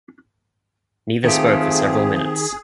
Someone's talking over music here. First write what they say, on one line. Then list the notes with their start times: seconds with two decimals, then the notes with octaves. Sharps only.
Neither spoke for several minutes.
1.24 D#3 A3 C4 F4 G4 G#4